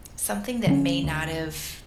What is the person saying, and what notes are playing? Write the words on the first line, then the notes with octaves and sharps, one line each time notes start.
something that may not have
D3 F#3 A3 C#4
D2